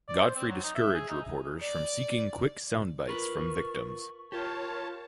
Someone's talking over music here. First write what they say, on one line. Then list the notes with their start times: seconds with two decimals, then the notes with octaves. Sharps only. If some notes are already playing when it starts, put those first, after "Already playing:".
Godfrey discouraged reporters from seeking quick sound bites from victims.
0.08 D5
0.20 C5
0.36 C4
0.49 F#3
0.63 D#4
0.75 E5
0.95 G#4
1.09 D#4
1.62 D5
3.08 F4 A#4 B4 C#6
4.32 F4 G4 A#4 C#5 A5